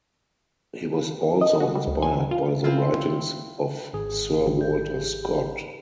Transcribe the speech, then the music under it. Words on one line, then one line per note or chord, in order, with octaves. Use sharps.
He was also inspired by the writings of Sir Walter Scott.
D#5
F#4
G3
D2
G#5
F4
C4 E4 F4
G#1 G#4
G4